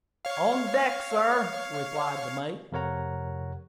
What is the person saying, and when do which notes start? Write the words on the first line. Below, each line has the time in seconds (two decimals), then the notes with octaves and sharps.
"On deck, sir," replied the mate.
0.25 C#5 F5
2.72 F2 C3 A#4 C#5 F#5 A#5